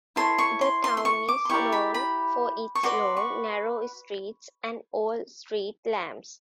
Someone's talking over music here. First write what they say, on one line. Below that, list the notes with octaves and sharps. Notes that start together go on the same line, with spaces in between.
The town is known for its long, narrow streets and old street lamps.
E4 A4 C#5 C6
C#6
C6
C6
C6
C#6
D6
C6
E4 G4 A#4 D5 C#6
B5
B5
C#6
F#4 B4 D5 C6
C#6